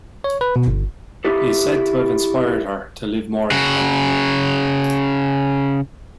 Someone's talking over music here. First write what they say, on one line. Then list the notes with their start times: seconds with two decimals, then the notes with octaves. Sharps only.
He is said to have inspired her to live more independently.
0.24 C#5
0.41 B4
0.56 B2
0.67 G1
1.25 D#4 E4 G4 A4
3.51 C#3 F#4